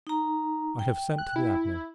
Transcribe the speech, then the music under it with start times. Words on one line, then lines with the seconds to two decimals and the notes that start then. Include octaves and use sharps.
I have sent to the Admiral.
0.07 D#4 A#5
0.79 G5
1.18 F#6
1.36 E4